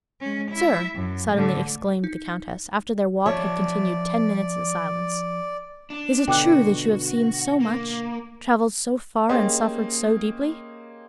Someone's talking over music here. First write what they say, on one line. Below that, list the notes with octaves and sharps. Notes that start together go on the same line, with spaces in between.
"Sir," suddenly exclaimed the countess, after their walk had continued ten minutes in silence, "is it true that you have seen so much, travelled so far, and suffered so deeply?"
G#3 C#4
E4 E5
F#2
A2 D3
D#4
F3 C#5 D5 E5 A5
D4
B2 D3 F#4 G5 D6 F#6
A#3
A#3 C#4 G4 G#4 C5 D#5